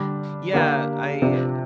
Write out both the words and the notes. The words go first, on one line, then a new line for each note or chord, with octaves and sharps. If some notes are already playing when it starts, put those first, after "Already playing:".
Yeah, I
Already playing: D3 G3 D4
D3 A#3 D4 G4 A#4
C3 F3 D4